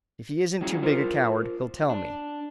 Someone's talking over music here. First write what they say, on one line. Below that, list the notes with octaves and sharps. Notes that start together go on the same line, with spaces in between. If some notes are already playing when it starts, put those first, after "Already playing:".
If he isn't too big a coward, he'll tell me.
F#3 G3 C#4 E4 G#4
F4 A#4 C5
D4